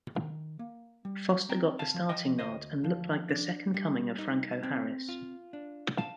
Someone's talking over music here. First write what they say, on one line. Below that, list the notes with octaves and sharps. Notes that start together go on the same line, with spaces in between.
Foster got the starting nod and looked like the second coming of Franco Harris.
D#3
A#3
G3
C4 G5 A#5
F5 A5
F3
D#5 G5
D2 C5 D#5
F3
D4
G3
D#4
C4
F4
D4
F5 A5